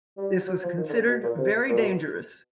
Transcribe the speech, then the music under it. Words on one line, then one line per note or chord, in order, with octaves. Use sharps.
This was considered very dangerous.
G3
F#3
F3
D#3
D3
C#3
B2
A#2
C3
A#2
B2